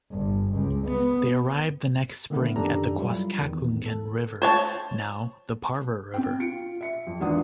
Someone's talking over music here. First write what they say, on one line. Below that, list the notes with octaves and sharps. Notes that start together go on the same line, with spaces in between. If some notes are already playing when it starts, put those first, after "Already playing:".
They arrived the next spring at the Quascacunquen River, now the Parker River.
G1
C#2
B3
D3 D#3 A3 B3 E4 A#4
F#2 D#3 D4 G4 A4 A#5
F#3 G3 E4 F4
E2 D#3
A4
C5 C#5 A5
C4 G5
F4 C#7 D7
E5 C#7
F2
G#1 E2 D4 F4 F#5 D#6